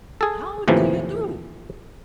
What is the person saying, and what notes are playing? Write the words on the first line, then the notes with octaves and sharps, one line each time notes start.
"How do you do!"
G#4 A4
D#2 A2 C3 E3 F3